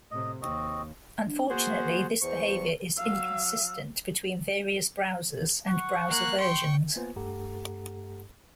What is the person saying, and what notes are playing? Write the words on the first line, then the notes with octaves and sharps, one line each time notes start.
Unfortunately, this behavior is inconsistent between various browsers and browser versions.
A2 C3 D#5
D#2 C4 F#4 D#5
D4
A#3 F#4 G#4 C5
E2 C5 C#6
F#3 F5 E6
F#5 C#6
A#3 F#6
G5 C6 C#6
A#3 B3 F4 B4 C5 G#5
G2 A3 G4 A4 F#5 A#5